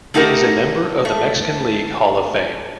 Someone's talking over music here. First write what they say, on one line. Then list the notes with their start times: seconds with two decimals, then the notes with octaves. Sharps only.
He is a member of the Mexican League Hall of Fame.
0.14 A3 D#4 F#4 G4 A#4
1.05 A3